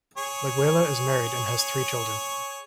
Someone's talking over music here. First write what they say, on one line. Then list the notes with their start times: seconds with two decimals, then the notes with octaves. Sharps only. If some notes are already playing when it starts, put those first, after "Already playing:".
Legwaila is married and has three children.
0.17 G#4 C#5 C#6